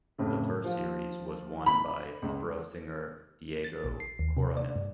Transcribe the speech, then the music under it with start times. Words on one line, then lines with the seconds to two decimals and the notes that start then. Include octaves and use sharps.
The first series was won by opera singer Diego Coronel.
0.18 F2 A2 C#3
0.64 F3 F4
1.66 B5
2.22 C#2
3.64 A6
3.84 A#1
4.00 C7
4.19 D#2
4.37 C3
4.57 D5
4.76 G2